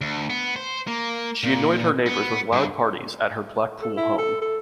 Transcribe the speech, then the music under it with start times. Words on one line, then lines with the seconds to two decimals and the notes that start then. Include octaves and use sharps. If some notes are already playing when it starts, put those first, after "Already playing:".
She annoyed her neighbours with loud parties at her Blackpool home.
0.01 D2
0.30 B3
0.56 C5
0.87 A#3
1.44 A#2
2.06 B3
2.52 G2
3.82 A4
3.97 E4
4.18 A4
4.42 A4